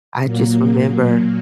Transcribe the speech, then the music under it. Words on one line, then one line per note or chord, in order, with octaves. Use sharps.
I just remember
A#2 F#3 A#3